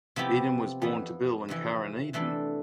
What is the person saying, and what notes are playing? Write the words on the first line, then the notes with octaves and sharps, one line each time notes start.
Eden was born to Bill and Karen Eden.
C3 F3 B3 E4 G4
F2 E3 B3
F2 C3 E3
C3 E3 A3 D4 A4